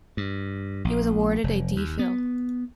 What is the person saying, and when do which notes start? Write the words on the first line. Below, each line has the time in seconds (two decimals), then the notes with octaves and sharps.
He was awarded a D. Phil.
0.17 G2
0.85 A#1
1.44 F1
1.76 D#2
1.99 B3